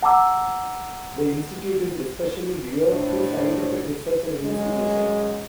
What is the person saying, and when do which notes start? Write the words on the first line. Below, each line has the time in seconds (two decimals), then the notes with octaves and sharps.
The Institute is especially geared to scientific research and investigation.
0.03 F#5 A5 A#5 D6 E6
2.86 A2 D4 C5
4.42 F#2 G#3